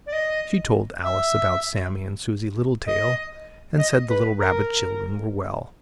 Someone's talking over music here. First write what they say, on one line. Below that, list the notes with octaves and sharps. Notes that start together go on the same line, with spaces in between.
She told Alice about Sammie and Susie Littletail, and said the little rabbit children were well.
D5
D#5
E5
D#5
D#5
B4
A#4